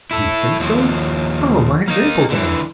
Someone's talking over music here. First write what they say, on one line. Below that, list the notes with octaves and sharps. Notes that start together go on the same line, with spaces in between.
"You think so?--follow my example, then."
E4 A4
D#2 F3
A#3 D#4
D3 E3